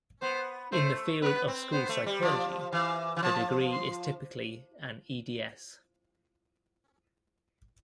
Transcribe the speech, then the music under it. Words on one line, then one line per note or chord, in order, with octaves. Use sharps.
In the field of school psychology, the degree is typically an Ed.S.
B3 C5
A3 C5
B3 B4
C4
B3 C5
A3
G3
F3 D5
E3 F5
E3
F3 A5
C6